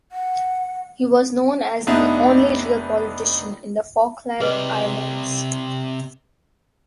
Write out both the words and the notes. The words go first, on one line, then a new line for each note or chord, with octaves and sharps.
He was known as the "only real politician in the Falkland Islands".
F#5
F1 B3 D4 D#4 E5
C3 G#4 B4 D5 D#5